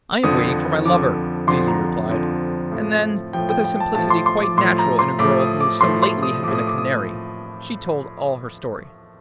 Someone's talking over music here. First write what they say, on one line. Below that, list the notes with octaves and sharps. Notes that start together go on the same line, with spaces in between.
'I am waiting for my lover,' Zizi replied; and then, with a simplicity quite natural in a girl who so lately had been a canary, she told all her story.
F2 D3 F3 D#6
F2 D3 F3 D6
F2 D3 F3 C6
A#5
F2 D3 F3
A2 F3
A2 F3 G5
G5
G5
A5
A2 F3 A5
C6
C6
D6
A2 F3 C6
A#5
C6
A2 F3 D6
D#6
D6
A2 F3 C6
C6
D#6
A2 F3 D6
D#6
D6
D#6